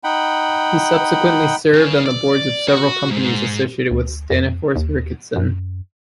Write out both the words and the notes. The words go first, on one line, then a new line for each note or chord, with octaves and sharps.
He subsequently served on the boards of several companies associated with Staniforth Ricketson.
D#4 F#5 G5 B5
C#3
D5
F#4
G#2
D2
F2
D#2
F#2